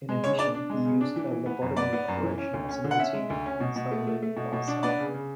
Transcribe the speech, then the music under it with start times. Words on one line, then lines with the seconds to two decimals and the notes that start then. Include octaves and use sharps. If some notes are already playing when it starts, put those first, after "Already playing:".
In addition, he used a lobotomy operation as a motif in "Suddenly, Last Summer".
0.09 G#3
0.24 C#3 C#5
0.39 D4 D5
0.55 D4
0.70 G#3
0.85 C#3
1.01 D4
1.16 E3
1.31 E3
1.46 B3
1.61 F#2
1.76 B3 D5
1.93 B3
2.08 F#2
2.23 E3
2.38 C#4
2.53 D2
2.69 C#4
2.84 D3
2.91 F#5
2.99 C#4 E5
3.14 G#3
3.30 D2
3.46 C#4
3.60 B2
3.76 B2
3.91 A3
4.07 A3
4.22 A3
4.37 B2
4.53 B2
4.68 D4
4.83 B3 D5
4.99 C#3
5.14 C#3